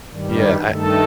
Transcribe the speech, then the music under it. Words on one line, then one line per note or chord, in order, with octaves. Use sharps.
Yeah, I
G2 D#3 G3
G2 D#3 A3 D#4 A4